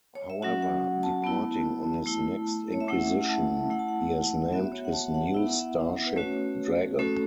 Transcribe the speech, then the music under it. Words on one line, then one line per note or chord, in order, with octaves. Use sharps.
However, departing on his next Inquisition, he has named his new starship "Dragon".
C#5
E5
F#3 C#4 F#4 F#5
F#5
A5
B3 E4
A3 E4
C#5
E5
A3 C#4 E4 F#5
F#5
A5
A3 E4 F#5
A5
F#5
B3 F#4 E5
E5
C#5
F#5
A5
F#5
B3 E4 E5
F#5
E5
B4
A3 C#4 F#4 C#5
A3 C#4 F#4 A4